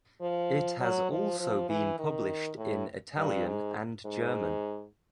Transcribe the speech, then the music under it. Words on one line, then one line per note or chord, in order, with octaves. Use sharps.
It has also been published in Italian and German.
F3
F#3
F3
F3
E3
D#3
A2
G2
G#2
G#2